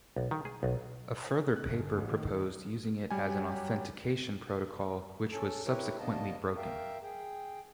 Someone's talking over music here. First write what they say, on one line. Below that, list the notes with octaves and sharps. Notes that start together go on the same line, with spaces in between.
A further paper proposed using it as an authentication protocol, which was subsequently broken.
B1
D#3
G#4
B1
F#6
G1
A1
D#3
F#3 G3 G4 G#5
C#4 A4
E4 G4 A#4 B4 C#5
D#2 A#3 B3 D4 D#5 A5
A#4 E5 F5 G5
G#4 G5